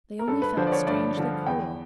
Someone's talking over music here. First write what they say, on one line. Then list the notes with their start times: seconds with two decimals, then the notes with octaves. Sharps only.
They only felt strangely cool!
0.19 A#4
0.28 G2 A4
0.42 B4
0.57 D3 F3 C5
0.67 D5
0.72 C#5
0.87 G2 D5
1.17 D3 F3
1.46 E2 G5